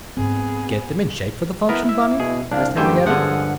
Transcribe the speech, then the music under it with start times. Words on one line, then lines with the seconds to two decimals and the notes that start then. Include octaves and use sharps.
"Get them in shape for the function, Bunny?" asked Henriette.
0.17 G#2 B3 C4 D#4 G#4
1.69 B3 E4 A#4 B4
1.89 E5
2.20 B2 G#4
2.51 C2 D4 F5
2.77 F#2 D3 G3 A3 G4 C5 G#5
3.06 G2 D3 F3 G#3 C#4 G#4 F#5